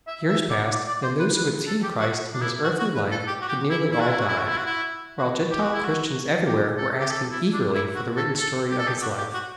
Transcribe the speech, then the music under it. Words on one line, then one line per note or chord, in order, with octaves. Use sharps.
Years passed, and those who had seen Christ in His earthly life had nearly all died, while Gentile Christians everywhere were asking eagerly for the written story of His life.
E5
E5
D5
D5
D5
C5
B4
B4
A4
G4
F#4
D4
E4
F#4
F#4
B4
A4
G4
F#4
G4
E4
E4
F#4
E4
F#4
E4
F#4
E4
F#4
E4
F#4
G4
F#4
E4
F#4
G4
A4
G4
A4
E4
D4
E4
F#4
A4
A4
G4
A4
G4
F#4
G4
F#4